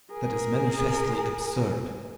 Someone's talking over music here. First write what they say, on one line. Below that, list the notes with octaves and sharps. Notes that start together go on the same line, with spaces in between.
That is manifestly absurd.
G#4 A#4